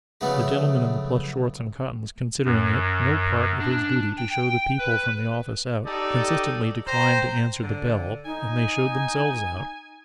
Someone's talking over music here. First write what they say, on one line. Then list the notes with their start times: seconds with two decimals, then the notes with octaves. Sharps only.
The gentleman in the plush shorts and cottons considering it no part of his duty to show the people from the office out, consistently declined to answer the bell, and they showed themselves out.
0.21 C#3 F3 F#3 A3 B3 D4
2.44 F#2
3.59 D4
4.17 G5
4.78 B4
5.86 D#4 G4 A4 D5
6.86 C5 G5 A#5
7.63 D3
8.25 D#4 G#5